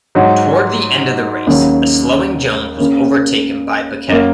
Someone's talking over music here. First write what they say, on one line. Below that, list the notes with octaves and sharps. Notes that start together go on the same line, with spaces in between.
Toward the end of the race, a slowing Jones was overtaken by Piquet.
G#2 F#3 D#4 F#4 C#5
D#2 C#3 F#3
C#3 A#3 C#4
F#2 F#3 A#3